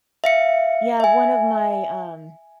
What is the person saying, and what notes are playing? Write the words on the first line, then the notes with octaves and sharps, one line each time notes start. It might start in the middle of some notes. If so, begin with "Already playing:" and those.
Yeah, one of my, um
E5 F5 C#7
E5 G#5